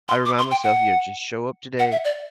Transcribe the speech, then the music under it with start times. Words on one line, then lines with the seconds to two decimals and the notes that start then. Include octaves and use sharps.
I remind myself, you know, "Just show up today,"
0.09 C6
0.26 D6
0.38 C6
0.51 G5
0.64 F#5
1.79 F#5
1.92 E5
2.05 D5